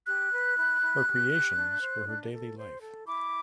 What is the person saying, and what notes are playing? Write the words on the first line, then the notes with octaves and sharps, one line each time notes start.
Her creations were her daily life.
G4 F#6
B4
E4
E4
G4
G4
D4
C5
D4
A4
C5
A4
E4 D6